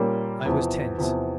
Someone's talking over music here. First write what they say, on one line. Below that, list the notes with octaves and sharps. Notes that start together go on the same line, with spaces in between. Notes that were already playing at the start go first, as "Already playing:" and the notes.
I was tense.
Already playing: A#2 G3 A#3 C#4
E2 C3 F3
E2 C3 F3